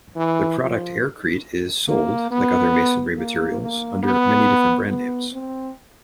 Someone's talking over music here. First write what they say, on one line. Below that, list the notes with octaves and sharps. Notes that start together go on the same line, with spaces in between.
The product aircrete is sold, like other masonry materials, under many different brand names.
E3
F3
A#3
B3
A#3
A#3
B3
B3
C4